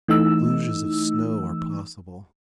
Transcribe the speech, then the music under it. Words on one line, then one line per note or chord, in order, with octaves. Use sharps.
Deluges of snow are possible.
E3 A3 D#4 E6